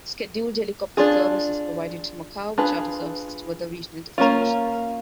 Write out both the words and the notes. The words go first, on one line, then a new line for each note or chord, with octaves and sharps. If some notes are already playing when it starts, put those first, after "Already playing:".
Scheduled helicopter service is provided to Macau, with charter services to other regional destinations.
D4 F4 G#4
D4 F4 G#4 B4
A#3 C#4 F4